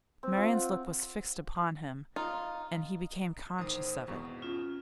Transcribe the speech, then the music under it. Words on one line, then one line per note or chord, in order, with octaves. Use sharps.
Marian's look was fixed upon him, and he became conscious of it.
C4
F4
F#5
D#4 F4
A1 D#3 C5 D#6
G#1 E2 B2 C#6
C#4 F4